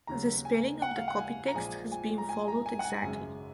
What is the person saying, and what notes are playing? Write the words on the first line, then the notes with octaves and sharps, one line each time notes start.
The spelling of the copy-text has been followed exactly.
D#2 C#3 F#3 A#5
G#5
F#5
F5
F#5
G#5
A#5
A#1 A#2 F3 G#3 G#5
G#5
A#5
G#5
A#5
G#5
F#5
G#5
G#1 F#2 C#3 G#3 G#5